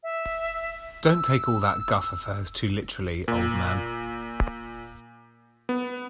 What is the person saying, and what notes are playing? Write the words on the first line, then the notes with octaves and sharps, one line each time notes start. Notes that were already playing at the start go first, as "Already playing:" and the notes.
Don't take all that guff of hers too literally, old man.
E5
E6
A#2
B3